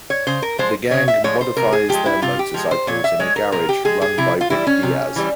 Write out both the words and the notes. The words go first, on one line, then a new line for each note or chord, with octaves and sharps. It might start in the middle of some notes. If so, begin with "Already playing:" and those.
The gang modifies their motorcycles in a garage run by Vic Diaz.
C#5
C#3 C5
A#4
F3 G#3 C5
C#3 C#5
E5
F3 G#3 C#5
C5
C3 A#4
G#4
F3 G#3 G4
E4
C3 F4
G4
F3 G#3
C5
A#2 C#5
E5
G#3 C#5
A#4
A#2 A#4
G4
G#3 G#4
G#4
C3 E4
F4
E3 G3 E4
C#4
C3
E3 G3